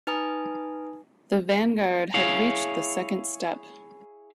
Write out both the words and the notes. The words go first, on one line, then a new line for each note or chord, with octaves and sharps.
The vanguard had reached the second step.
D#4 B4 G#5 A#5 D#6
E4 G#4 C#5 F5